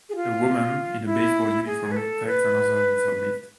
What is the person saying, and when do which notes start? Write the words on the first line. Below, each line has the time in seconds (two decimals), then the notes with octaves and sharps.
A woman in a baseball uniform tags another with her mitt.
0.09 G#4
0.16 F4
1.06 E4
1.66 G#4
1.91 B4
1.97 A4
2.27 B4